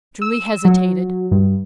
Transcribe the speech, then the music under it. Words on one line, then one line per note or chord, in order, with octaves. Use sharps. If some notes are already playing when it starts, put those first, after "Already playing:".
Julie hesitated.
E6
F#3
G2